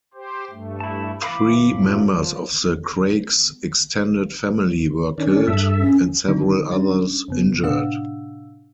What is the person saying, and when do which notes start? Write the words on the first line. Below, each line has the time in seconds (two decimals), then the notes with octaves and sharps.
Three members of the Craiggs' extended family were killed, and several others injured.
0.14 G4 C5
0.50 G2 A3
0.80 E4 A5
1.22 E3 F5 B5 D6
1.60 F#2 A2 F3
2.00 F3
5.18 D#3 C#4 D4
5.47 G2 A4 E5
5.79 C#4
6.28 D3 D#3 F#3 C4 D#4
6.70 G3 C#4 D4
7.28 F2 C#3 B3
7.63 A2 C3 D4 F5 F#5 E6